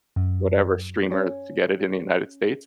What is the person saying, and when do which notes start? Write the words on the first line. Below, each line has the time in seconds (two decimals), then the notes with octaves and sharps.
whatever streamer to get it in the United States,
0.16 F#2
1.11 C#4